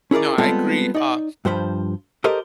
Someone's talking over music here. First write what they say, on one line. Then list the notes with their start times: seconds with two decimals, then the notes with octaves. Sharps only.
No, I agree, uh,
0.11 C#4 E4 G#4 A#4 D5
0.38 G3 G#3 B3 C4 F4 A4
0.94 D#4 D5
1.45 G2 F3 C5 B5
2.24 G4 A4 A#4 C5 D5 D#5